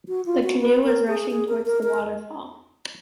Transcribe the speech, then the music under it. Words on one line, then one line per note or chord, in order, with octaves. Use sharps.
The canoe was rushing towards the waterfall.
F#4
F4
F#4
B4
A#4
G#4
G#4
A#4
A#4
A#4